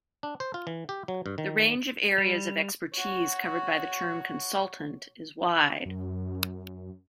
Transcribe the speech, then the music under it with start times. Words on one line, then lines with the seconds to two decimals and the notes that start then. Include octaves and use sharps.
The range of areas of expertise covered by the term "consultant" is wide.
0.23 D4
0.40 C5
0.54 F4
0.67 E3
0.89 G4
1.08 F#3
1.26 G2
1.38 D#3
2.18 G3
2.94 F#4 C#5
5.86 F#2